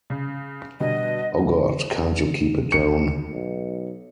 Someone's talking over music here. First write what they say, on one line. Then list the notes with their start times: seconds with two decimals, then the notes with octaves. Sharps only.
Oh God, can't you keep it down?...
0.10 C#3
0.80 B2 D3 G3 D#5
2.72 C#7
3.32 B1